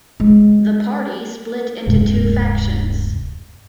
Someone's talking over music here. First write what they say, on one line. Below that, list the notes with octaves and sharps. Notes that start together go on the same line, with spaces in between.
The Party split into two factions.
G#3
D1 G2 C3 G#3